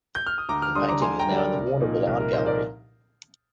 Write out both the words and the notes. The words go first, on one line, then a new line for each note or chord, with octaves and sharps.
The painting is now in the Warnambool art gallery.
G6
F6
D#6
D2 A#5 D6
D6 F6
D3 G3 D4 C6 D#6
A#5 D6
D2 G#5 C6
G5 A#5
D3 G3 D4
A#4 D5
C2
A#2 F3 A#3 D#4
C2 A#4
A#4
A#2 F3 A#3 D#4 C5
A#4 D5